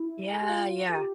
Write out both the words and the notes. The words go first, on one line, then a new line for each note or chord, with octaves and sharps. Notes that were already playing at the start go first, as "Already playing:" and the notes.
Yeah, yeah.
Already playing: E4
A4
G4
F4
A4
G4